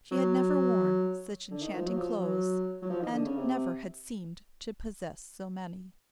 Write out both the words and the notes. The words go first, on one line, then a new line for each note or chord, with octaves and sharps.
She had never worn such enchanting clothes and never had seemed to possess so many.
F#3
D3
D#3
F3
F#3
F3
F#3
F#3
F3
D#3
D3
C#3
C3